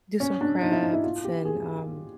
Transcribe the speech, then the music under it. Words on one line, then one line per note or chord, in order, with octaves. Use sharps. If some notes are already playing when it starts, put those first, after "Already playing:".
do some crafts and, um,
C#4
D4
D#4
E4
D#4
E4
F4
G4
G#4